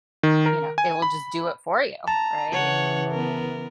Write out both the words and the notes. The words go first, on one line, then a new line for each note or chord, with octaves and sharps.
you know, it will just do it for you, right?
D#3
A#4
G#5
B5
A5 A#5
C#3 E3 C#5 F#5
B3 A#4